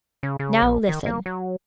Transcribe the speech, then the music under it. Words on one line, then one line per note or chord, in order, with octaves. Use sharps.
Now, listen.
C#3
C#3
A#1
D#3
A#3
F#3